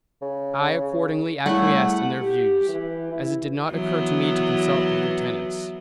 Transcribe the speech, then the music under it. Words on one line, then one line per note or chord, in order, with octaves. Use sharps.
I accordingly acquiesced in their views, as it did not occur to me to consult the lieutenants.
C#3
C#3 G3 A3 E4 F#5
G4
E3
E4
E3 F#3 B3